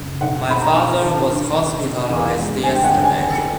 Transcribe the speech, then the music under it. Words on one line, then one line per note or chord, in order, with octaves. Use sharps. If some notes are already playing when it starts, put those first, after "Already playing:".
My father was hospitalized yesterday.
Already playing: F#1
B1 F#5
B1 B5
A#5
B1
D#3 A5
G2
D#3
B2
E2
G#3
G1 G#5
G5
F#5
G1
G#5